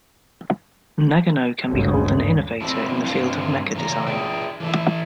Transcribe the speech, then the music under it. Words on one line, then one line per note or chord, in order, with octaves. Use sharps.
Nagano can be called an innovator in the field of mecha design.
G#1 D2 G2 C#3 G3
F3 C4 D4 E4 A4
G2 D3 A3 C4 F5
E2 A#2 C#3 A5 A#5
G#4 D5 E5 G5
E3 A4 E5